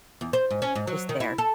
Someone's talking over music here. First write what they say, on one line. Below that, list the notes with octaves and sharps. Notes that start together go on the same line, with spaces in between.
just there.
E2
C5
G#2
C#4
G#2
F#3
D#3
E4
A4